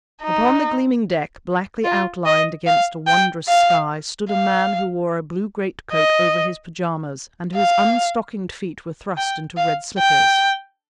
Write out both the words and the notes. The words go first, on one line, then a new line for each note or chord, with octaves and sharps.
Upon the gleaming deck, blackly outlined against a wondrous sky, stood a man who wore a blue greatcoat over his pyjamas, and whose unstockinged feet were thrust into red slippers.
D#4
F4
D#5
F5
G5
F5
F5
D#5
F5
G5
F5
G5